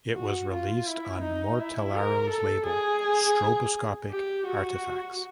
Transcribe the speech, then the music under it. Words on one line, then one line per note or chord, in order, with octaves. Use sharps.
It was released on Mortellaro's label Stroboscopic Artefacts.
F#4
F4
E4
D#4
E4
A#4
A4
G#4
G4
F#4